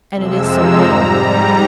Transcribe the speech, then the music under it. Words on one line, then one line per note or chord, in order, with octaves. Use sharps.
And it is so little!
F2 C3 F3 G#3 E6
A#5
G#2 G3 A#5
A#5